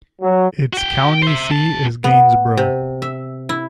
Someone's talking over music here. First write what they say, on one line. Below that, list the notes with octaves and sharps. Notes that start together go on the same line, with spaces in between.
Its county seat is Gainesboro.
F#3
F#4 G5
C5 E5
C3 A5
B3
C3
E5
E4